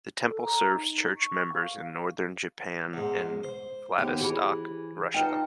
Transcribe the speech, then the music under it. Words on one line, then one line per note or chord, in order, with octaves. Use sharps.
The temple serves church members in Northern Japan and Vladivostok, Russia.
A4
A#5
D#4
C#6
F5
E2 G#2
C5
D#2 B3 G4
E3 G4 G#4 B5
D#4 F4 B4 D#5 G5 A5